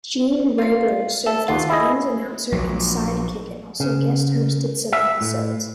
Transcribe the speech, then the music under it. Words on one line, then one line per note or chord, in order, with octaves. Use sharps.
Gene Rayburn served as Allen's announcer and sidekick and also guest-hosted some episodes.
F4 F5
A4 E5
D#2 F4 F#5
E4 G#4 D#5
A#1 F#3
C#3
E5
A2